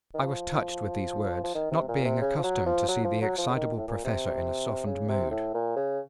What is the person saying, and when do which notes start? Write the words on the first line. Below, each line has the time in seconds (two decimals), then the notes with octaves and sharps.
I was touched with these words, not being accustomed to see the excitable Professor in a softened mood.
0.14 D#3
0.22 F3
1.44 F3
1.55 D#3
1.71 C3
1.88 A#2
2.05 C3
2.21 C#3
2.38 F3
2.44 F#3
2.66 F3
2.88 F#3
3.04 F3
3.22 F#3
3.38 F3
3.49 C#3
3.55 D#3
3.78 A2
3.88 A#2
4.04 C3
4.87 C#3
5.09 C3
5.31 A2
5.54 A#2
5.76 C#3